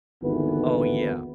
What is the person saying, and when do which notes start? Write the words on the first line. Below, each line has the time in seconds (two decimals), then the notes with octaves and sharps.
Oh, yeah.
0.23 G#1 D#2 D3 E3 B3 B4